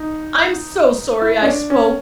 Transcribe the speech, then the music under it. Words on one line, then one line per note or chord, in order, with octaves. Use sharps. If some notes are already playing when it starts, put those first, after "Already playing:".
I'm so sorry I spoke.
Already playing: D#4
E4
C#4
D4
C#4